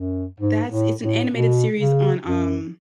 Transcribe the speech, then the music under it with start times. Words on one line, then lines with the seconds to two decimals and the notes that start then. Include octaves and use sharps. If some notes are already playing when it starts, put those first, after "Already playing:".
That's it's an animated series on, um,
Already playing: F#2
0.40 G#2
0.71 A2
1.02 A2
1.33 B2
1.80 C#3
2.26 F#2